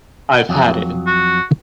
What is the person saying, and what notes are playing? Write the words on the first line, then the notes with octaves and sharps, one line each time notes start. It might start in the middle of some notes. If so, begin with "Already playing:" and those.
I've had it.
F2 F#3
F#4